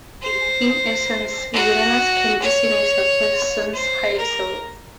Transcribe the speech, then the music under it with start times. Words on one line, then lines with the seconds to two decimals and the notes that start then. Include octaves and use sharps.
In essence, Uranus can be seen as a person's higher self.
0.22 C5
1.53 F#4
2.42 C#5
3.73 C5
4.17 A#4